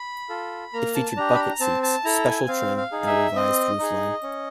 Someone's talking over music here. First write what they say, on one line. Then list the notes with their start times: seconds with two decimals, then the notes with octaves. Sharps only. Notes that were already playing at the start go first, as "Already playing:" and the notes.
It featured bucket seats, special trim, and a revised roofline.
Already playing: B5
0.29 F4 A4
0.73 A#3 A#5
0.95 A5
1.17 D4 G4 A#5
1.35 B5
1.39 A#5
1.60 C4 A5
1.83 A5
2.04 E4 A4 A#5
2.26 G#5
2.48 C4 F5
2.77 F5
2.92 D#4 G#4
3.07 E5
3.36 C4 D#5
3.79 D#4 G#4
4.23 C#4